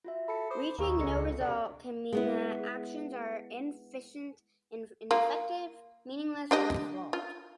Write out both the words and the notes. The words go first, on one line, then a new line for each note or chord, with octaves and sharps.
Reaching no result can mean that actions are inefficient, ineffective, meaningless or flawed.
F4 F#4 E5
A4 B5 C#7
C5 D6 D#6
D#2 A#3 A#5 C#6 E6
C#2 G#3 C4 A4 C#7
C3 D4
G#3 B3 E4
A#3 F4
D4 G4 D#5
F4